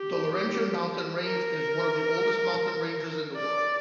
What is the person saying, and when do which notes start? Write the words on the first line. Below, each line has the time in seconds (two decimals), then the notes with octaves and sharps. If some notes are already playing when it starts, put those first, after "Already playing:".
The Laurentian Mountain range is one of the oldest mountain ranges in the world.
Already playing: G4
1.23 A#4
3.36 D5